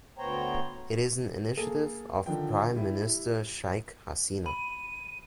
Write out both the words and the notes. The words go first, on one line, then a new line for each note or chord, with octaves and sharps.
It is an initiative of Prime Minister Sheikh Hasina.
D2 B3 C5 C#5 G5 A#5
A#3 G#4 A4
D3 D#3 F3 G5
G3 E4
B5 D#7